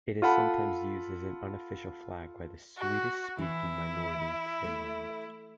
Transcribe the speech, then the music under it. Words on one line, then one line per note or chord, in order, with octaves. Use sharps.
It is sometimes used as an unofficial flag by the Swedish-speaking minority in Finland.
F4 A4 F#5 A5 B5
F#4
E3 E4
A3